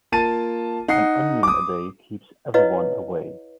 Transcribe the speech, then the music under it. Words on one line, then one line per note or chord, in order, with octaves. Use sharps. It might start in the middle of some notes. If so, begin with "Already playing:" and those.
An onion a day keeps everyone away.
A#3 F4 A5 A6 D#7
D#4 F#5 C7
D6 D#6
E4 B4 C#5 D#5 F5